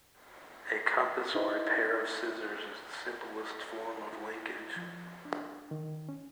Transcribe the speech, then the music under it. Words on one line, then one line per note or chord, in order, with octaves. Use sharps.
A compass or a pair of scissors is the simplest form of linkage.
D#4 E4 B4 C5
E4
F3
D4
D#3
C#4